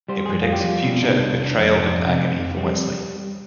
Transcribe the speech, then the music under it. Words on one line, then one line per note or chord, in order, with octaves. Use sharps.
It predicts a future of betrayal and agony for Wesley.
G3 C5
G#4
F2
F4
G4
G3 F4
B2
D4
C2 D#4
D4
C2
D4
F2
F2
C3
F2
G3 C4